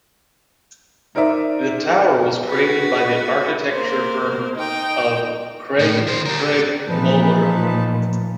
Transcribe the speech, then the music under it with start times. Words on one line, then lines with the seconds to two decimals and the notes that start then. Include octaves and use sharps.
The tower was created by the architecture firm of Craig Craig Moller.
1.15 D#4 A#4 C5 D5 E5
2.49 F#4 B4
3.71 A#3 C5
4.55 D#4 G5
5.79 A2
6.07 D#3 C5
6.26 G4 A#4
6.41 G4
6.89 A#2 E3 F3 D#4 B4 A5